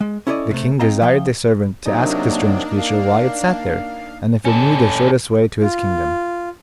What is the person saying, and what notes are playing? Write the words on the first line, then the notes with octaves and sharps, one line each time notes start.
The King desired the servant to ask the strange creature why it sat there, and if it knew the shortest way to his kingdom.
G#3
C#4 E4 A4 A#4 D5 D#5
C3 A3
C4 D#5 F5 A5 A#5
F3 E5 G5
C3 F#3 A#3 D4 D#4
F5
C#4 A4
F4